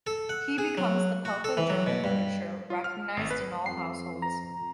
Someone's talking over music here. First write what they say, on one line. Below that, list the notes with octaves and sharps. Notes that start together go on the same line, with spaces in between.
He becomes the Pope of German Literature, recognized in all households.
A4
F#5
G#4
F#3
F#4
A4
E3
F#3
B2
G2
F4
F6
G#1
B4
F2 C7
A#5